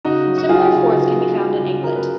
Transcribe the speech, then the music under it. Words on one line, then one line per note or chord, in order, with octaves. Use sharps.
Similar forts can be found in England.
C#3 D#4 F#4
F#3
F#4
F#3 F4 G#4
C#3
C#3
F#3
F#3
C#3
C#3 A#4
B4